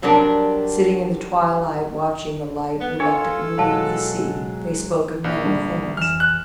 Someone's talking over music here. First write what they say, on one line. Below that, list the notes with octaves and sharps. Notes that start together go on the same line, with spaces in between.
Sitting in the twilight, watching the light reluctantly leave the sea, they spoke of many things.
C3 F#3 G3 D4 A#4
B3
D4 F4 A4 C#5
B2 F#3 G#3 F5 A5
A#1
D3 G3 D4
F1 E3 F6 E7
F#6